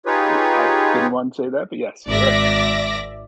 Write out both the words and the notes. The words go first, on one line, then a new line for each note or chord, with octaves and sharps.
y I didn't want to say that, but yes, you're right.
D#4 F4 G4 G#4 B4 C#5
G#1 D5 E5 D6 A#6